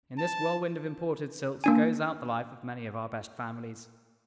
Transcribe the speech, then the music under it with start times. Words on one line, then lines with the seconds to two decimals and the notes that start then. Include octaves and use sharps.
In this whirlwind of imported silks goes out the life of many of our best families.
0.18 A5
1.64 A#3 D4 G#5